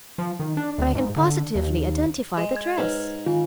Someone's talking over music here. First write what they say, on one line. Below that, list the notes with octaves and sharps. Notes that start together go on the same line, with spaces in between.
"But I can positively identify the dress."
F3
D#3
D4
D2
G#2
D3
D#2
G#3
G#6
G#2 B4 C#5 F6
D#3 F4 G#5